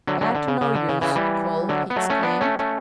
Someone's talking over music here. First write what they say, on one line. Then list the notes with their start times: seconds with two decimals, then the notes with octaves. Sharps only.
"Glad to know youse, cull!" he exclaimed.
0.07 D3 F#3
0.21 D3 F#3
0.35 D3
0.48 C#3
0.61 C#3
0.75 D3
0.89 C#3
1.01 C#3 E3
1.15 E3 G3
1.69 D3 F#3
1.90 B3
1.96 F#3 A3
2.10 A3 C#4
2.23 B3 D4
2.41 A3 C#4
2.59 A3 C#4